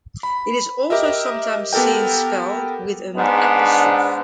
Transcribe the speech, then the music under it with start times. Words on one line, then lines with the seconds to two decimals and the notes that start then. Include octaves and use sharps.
It is also sometimes seen spelled with an apostrophe.
0.23 B5
0.90 G4 A#4 D#5 E5
1.73 B3 G4 A4 A#4 G5
3.16 G#2 B3 D4